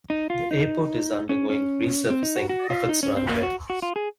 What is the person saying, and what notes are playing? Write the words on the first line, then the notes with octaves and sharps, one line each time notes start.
The airport is undergoing resurfacing of its runway.
D#4
F4
D#4
C#4
C#4
C4
D#4
F#4
F#4
F4
D#4
C#4
C4
A#3
F#4
F#4
F4
G#4